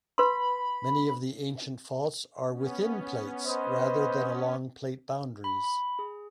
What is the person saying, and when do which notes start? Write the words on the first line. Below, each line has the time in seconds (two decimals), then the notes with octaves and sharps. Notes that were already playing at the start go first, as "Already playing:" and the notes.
Many of the ancient faults are within plates rather than along plate boundaries.
0.18 B4 B5 C6
2.49 B3 C#4
3.46 B4 C5 D#5
5.44 B5
5.64 B5
5.99 G#4